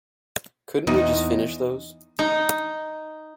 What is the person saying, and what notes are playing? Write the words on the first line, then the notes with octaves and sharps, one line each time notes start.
Couldn't we just finish those?
E2 D#4
D#4